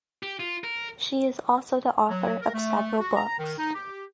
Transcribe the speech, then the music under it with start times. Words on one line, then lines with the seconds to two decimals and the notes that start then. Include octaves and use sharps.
She is also the author of several books.
0.23 G4
0.40 F4
0.64 A#4
2.10 F#3
2.41 A#4
2.53 A3
2.99 F#4
3.16 A#5
3.39 D#3
3.58 D#4
3.75 G4